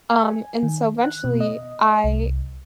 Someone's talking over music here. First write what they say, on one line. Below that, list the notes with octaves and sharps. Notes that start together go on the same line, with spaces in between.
Um, and so eventually, I
G#5
D#3
F#6
B2
D#5
C2